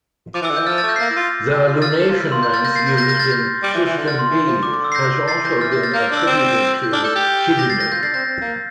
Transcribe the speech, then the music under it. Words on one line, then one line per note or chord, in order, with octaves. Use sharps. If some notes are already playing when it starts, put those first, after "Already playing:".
The lunation length used in System B has also been attributed to Kidinnu.
F3 D6
E3
E6
D3
E3 G6
F3 F6 A6
F6 A6
A3
G6 A#6
C7
A#3 G6 A#6
E4
F4
G4
F4
E4
F4 F6 A6
A4
F4
E4
A#3 C6
G6
F6 A6
G6 A#6
A6 C7
G6 A#6
G6 A#6
G6 A#6
F6 A6
G6
G3
E3
E3
D3
F6 A6
C6
E3
F3
D3 D6
D6
E6
C7
G6 A#6
D3
E3 A6 C7
G6 A#6
F6 A6
G6 A#6
F6 A6
A#3 G6
F6
D4
E6
C4
G6
D4 F6
A4 G6
G4 F6 A6
G6 A#6
A6 C7
G6 A#6
G4
F4 G6 A#6
D4 A6 C7
C4 G6 A#6
C4
A#3